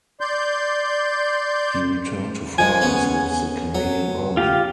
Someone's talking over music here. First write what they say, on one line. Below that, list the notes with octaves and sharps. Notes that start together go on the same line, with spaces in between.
He returned to France with the Canadian Army.
D5 C6 G6
F3 G#3 G#5
B3 C#4
F#3
F4 G4